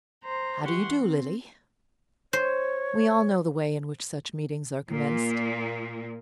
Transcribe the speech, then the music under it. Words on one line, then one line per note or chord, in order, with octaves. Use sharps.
"How do you do, Lily?" We all know the way in which such meetings are commenced.
C5 A#5
E3 G4 F#5 C6 C#6
C4
C5 C#5
A#2